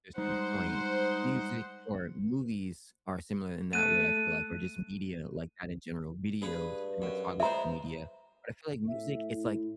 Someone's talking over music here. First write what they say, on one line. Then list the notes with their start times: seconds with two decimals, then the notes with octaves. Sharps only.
to a certain point. Music or movies are similar in that way, I feel like or just media, like at a general video cinematography media. But I feel like music it's like
0.18 G3 G#3 D#4 C5 F#5
3.73 A3 F#6 D#7
6.42 G2 G#4 B4
7.02 F#2
7.40 G#3 B3 C5 E5 A#5
8.88 A2 E5
9.34 E4